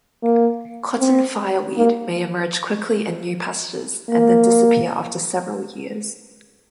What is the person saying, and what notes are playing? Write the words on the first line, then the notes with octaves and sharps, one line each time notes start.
Cotton fireweed may emerge quickly in new pastures and then disappear after several years.
A#3
C4
A#3
A#3